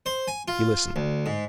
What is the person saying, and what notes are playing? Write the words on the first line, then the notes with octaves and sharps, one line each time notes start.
He listened.
C5
G#5
F4
D2
G#2